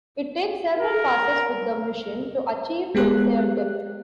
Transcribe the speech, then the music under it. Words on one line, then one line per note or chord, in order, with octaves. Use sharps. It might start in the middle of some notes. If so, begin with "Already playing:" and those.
It takes several passes with the machine to achieve the desired depth.
A#4
G#3 B3 G4 F#6